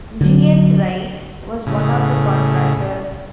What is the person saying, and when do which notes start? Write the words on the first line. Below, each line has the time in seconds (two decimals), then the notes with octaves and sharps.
G. N. Wright was one of the contractors.
0.21 D3 F#3
1.67 A2 C#3